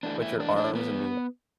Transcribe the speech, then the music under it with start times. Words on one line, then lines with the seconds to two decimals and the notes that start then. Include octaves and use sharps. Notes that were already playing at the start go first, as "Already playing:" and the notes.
with your arms in the ai
0.03 E2 E3 A3 D4
0.22 E4
0.40 D4
0.56 D4
0.75 B3